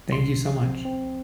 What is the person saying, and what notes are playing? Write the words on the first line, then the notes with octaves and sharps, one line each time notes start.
Thank you so much.
C2 C6
F3
C4
C4